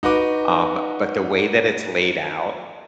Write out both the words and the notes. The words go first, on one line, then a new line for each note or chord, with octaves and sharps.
um, but the way that it's laid out
D#4 F#4 B4 D6